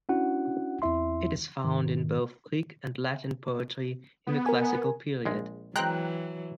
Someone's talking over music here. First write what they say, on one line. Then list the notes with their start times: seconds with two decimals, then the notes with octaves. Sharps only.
It is found in both Greek and Latin poetry in the classical period.
0.09 C#4 D4 E4 F#4 F#5
0.82 E2 C4 E4 E5 C6
1.64 G#2 D#3
4.27 B3
4.46 A#4 G#5
5.25 A#1 G#3
5.76 E3 F#3 G#3 C4 G5 A#5 F#6